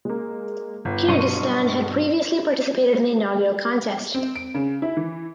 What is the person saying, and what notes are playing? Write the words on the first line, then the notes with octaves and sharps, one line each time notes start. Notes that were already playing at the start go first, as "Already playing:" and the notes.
Kyrgyzstan had previously participated in the inaugural contest.
G#3 A#3
G1
G2 B2 F#3 C6 C#6 D#7
C4
D7
C#3
E4
E3